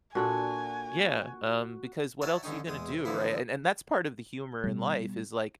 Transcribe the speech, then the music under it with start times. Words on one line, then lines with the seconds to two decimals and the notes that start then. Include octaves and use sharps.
Yeah. Um, because what else are you gonna do, right, and and that's part of the humor in life is like
0.15 A#2 D4 F#4 A4 G#5
2.22 C#5 D5 E5 F#5 A5 A#5
2.43 A1 D3 C#4 D#4 G5
2.67 E2 G#3 D#6
2.89 C3
3.05 D3 E3 F3 A#3 B3 E4
4.64 B2 G3